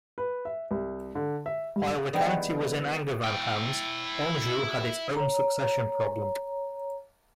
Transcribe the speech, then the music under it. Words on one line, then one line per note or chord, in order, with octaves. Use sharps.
While the county was in Angevin hands, Anjou had its own succession problem.
B4
E5
C2
D3
E5
G2
E3 G3 G#3 B3 D#4
E4 G5
C#5 A#5